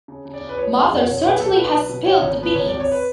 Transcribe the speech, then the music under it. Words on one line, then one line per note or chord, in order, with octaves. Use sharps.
Mother certainly has spilled the beans!
C#3
C#3
D5
C#3
B4
F3 C#5
F1
G#4
F2 F#4
B2 C#5
B1 B4
B1 A4
B1 B4
B1
B2
F3 C#5
G#1 C#5
F3 B4
G#1 C#5
G#1 D5
C#5
B4